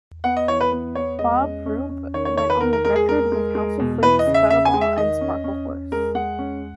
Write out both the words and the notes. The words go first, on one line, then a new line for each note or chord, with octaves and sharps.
Bob Rupe went on to record with House of Freaks, Gutterball and Sparklehorse.
B3 F#5
D#5
E3 C#5
B4
B3
B3 C#5
G#3 D#5
C#4
C#4
C#4
D#3 C#5
C#5
D#3 C#5
B4
D#3 A#4
A#4
G#3 A#4
G#4
G#3 A#4
G#3
G#3
B2
E3 B4
D#5
C#3
E5
C#3 E5
G#5
G#3
E5
D#3 D#5
C#4
C#4
C#4
G#3 A#4
G#3 F#5
C#4